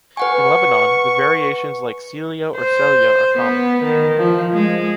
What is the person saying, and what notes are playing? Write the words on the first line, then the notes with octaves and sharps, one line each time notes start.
In Lebanon, the variations like Célia or Célya are common.
B4 F#5 G#5 C#6
C5
B3
D#3
F3
G#3